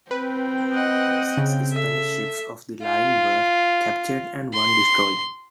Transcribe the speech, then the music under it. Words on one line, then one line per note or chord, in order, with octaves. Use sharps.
Six Spanish ships of the line were captured and one destroyed.
C4 B4 G5
D#5 F#5
C#3
A4 E5
F4
C6